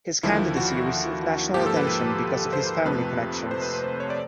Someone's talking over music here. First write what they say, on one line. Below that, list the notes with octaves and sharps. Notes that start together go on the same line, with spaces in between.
His candidacy received national attention because of his family connections.
D#2 D3 F3 A#3 E4
F#4
G#2 F3 A#3 G4
A4
B4
B4
C5
F2 C3 F3 A3 B4
C5
B4
B4
C5
C#5
D5